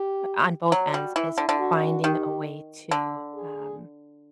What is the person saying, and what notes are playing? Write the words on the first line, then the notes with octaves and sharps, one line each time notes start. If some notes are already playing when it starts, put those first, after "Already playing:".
on both ends, is finding a way to, um
Already playing: G4
F#3 F#4
G3
E3 E4
D3
D3
F#4
D#3 G4
D3
G#4